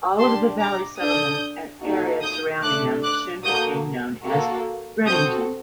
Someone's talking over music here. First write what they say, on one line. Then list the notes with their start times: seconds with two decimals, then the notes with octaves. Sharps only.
All of the valley settlements and area surrounding them soon became known as Redington.
0.19 D4 G4 A5 C6
0.59 A#5 D6
1.00 D4 A4 D#6 G6
1.81 A#3 D#4 F#4 A4
2.22 D#6 G6
2.62 A3 D4 A4 D6 F#6
3.03 D6 F#6
3.43 A#3 F#4 A4 D#6 G6
4.25 A#3 F#4 A4
5.07 C4 F#4 A4 D#6 G6